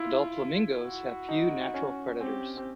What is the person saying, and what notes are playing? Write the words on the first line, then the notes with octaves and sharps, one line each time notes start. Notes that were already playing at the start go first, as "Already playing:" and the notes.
Adult flamingos have few natural predators.
Already playing: E4 F4
F#4
D#4
C#4
C4 G4
C4